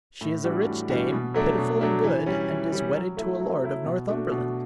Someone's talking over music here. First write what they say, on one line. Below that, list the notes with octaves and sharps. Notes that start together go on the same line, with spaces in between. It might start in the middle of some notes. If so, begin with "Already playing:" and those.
She is a rich dame, pitiful and good, and is wedded to a lord of Northumberland.
A2
E3 G3 D4 F#4
A2
E3 G3 D4 F#4
B2
F#3 A3 D4
B2
F#3 A3 D4
E3
G3 C#4
E3
G3 C#4
F#3
A3 E4
F#3
A3 E4
B2
A3 D4 F#4
B2